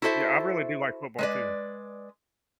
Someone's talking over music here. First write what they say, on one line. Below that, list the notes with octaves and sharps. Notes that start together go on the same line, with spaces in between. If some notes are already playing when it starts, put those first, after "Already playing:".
Yeah, I really do like football too.
E4 F#4 A4 C5 E5
G#3 B4 D5